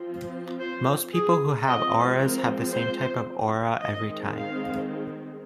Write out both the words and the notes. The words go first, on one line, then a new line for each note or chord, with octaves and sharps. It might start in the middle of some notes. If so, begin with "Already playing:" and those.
Most people who have auras have the same type of aura every time.
Already playing: F3 C4
C5
G#4
F3 G#3 C4 D#5
A#4
C5
D#3 G#3 C4 D#5
F5